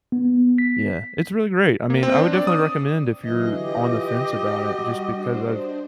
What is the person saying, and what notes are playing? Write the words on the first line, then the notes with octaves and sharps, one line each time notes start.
yeah, it's really great. I mean, I would definitely recommend if you're on the fence about it, just because I've
B3
B6
A#3
C4
D4
D5
D#6
D3 E3 F#3 G#4 D#5
F4 G4 G6 A#6
G3 F#4
D4 C5